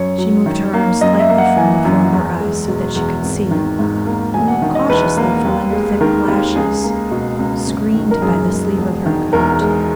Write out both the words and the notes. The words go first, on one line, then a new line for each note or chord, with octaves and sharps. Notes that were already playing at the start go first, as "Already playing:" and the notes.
She moved her arm slightly from before her eyes so that she could see, and looked cautiously from under thick lashes, screened by the sleeve of her coat.
Already playing: F#2 C#5
F#3
D#3
A#3
F#2 D#5
E5
A#3
F#5
E3 G#5
F#2
E2
G#3
B2
E2
G#1
D#3
G#2
A#3
E1 G#5
F#5
D#3
D#5
E2 B4
A#3
D#2
G#3
D#3 A#4
D#2
C#2 G#4
A#3
B2
C#2
F#1
D#3
A#4
F#2 G#4
G#3
E1
D#3
E2 A#4
G#3